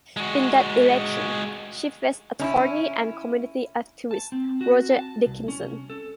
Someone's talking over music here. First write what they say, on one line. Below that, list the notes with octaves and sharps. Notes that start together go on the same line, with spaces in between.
In that election, she faced attorney and community activist Roger Dickinson.
G#3 F#4
C#4 D#4 E4
A5
C4
F#4
A5
C2
C#4
A4